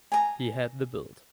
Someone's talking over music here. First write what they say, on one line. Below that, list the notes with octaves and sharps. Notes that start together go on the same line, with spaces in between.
He had the built.
G#5 A#5